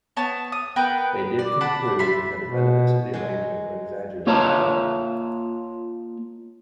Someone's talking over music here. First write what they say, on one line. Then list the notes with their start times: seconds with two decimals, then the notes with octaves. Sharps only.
They did conclude that the benefits of the arrangement were exaggerated, however.
0.17 B3 C#5 A5
0.52 D#6
0.76 B3 A#4 B4 G5
1.39 D5
1.61 D4 F#5 A5 B5
1.99 E5 A5 B5 C6
2.45 B2
3.14 F#3 G#3
4.27 A#3 F4 C#5 D#5 A5 A#5